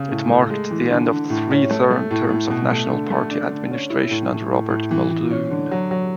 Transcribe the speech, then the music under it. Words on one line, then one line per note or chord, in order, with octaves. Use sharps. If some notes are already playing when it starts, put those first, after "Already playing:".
It marked the end of three terms of National Party administration under Robert Muldoon.
Already playing: C#3
A2
A3
G#3
E3
D3
D3
A2
C#4
A3
A3
A2
A2
B2
A3
D3
A3
D4
D3
C#4
E4
A2
A2
A2
A2
E3
E3
C#4
D3
F#3
F#3